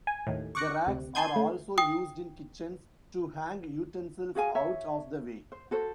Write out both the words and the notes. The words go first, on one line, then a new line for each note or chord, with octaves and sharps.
The racks are also used in kitchens, to hang utensils out of the way.
G#5
D#2 A2
C#6 D6 F#6 A#6 C#7
D2 C3
G#5 A5 C6 D#6 G6 G#6
A3
G5 D#6
F#4 G#4 F5 G#5
C#5 E5
C5
F#4 A4 C5